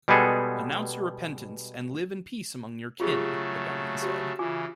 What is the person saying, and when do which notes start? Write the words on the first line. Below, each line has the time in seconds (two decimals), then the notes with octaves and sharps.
Announce your repentance and live in peace among your kin, the gunman said.
0.08 B2 G3 G#3 B3 G#4 A4
3.00 C#3 F#3 A3 F4 G4 G#4
4.02 F#4 G4
4.39 C#3 E3 F4 G#5 D6